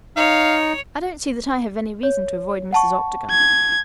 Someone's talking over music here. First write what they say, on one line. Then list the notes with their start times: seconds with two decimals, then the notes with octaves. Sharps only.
"I don't see that I have any reason to avoid Mrs. Octagon."
0.17 D#4 C#5 F5
2.03 C#5
2.73 F#5 A5 C#6
3.30 G#6